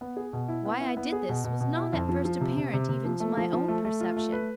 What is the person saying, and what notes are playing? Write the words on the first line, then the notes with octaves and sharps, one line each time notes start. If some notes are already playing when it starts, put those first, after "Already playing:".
Why I did this was not at first apparent even to my own perception.
B3
G#4
B2
E4
B3
E4
B3
G#4
B2
B2
B2
E4
F2
F3
F3
C3
C3
C3
C3
F3
A3
F3
F3
A3
A3
F4
A3
B4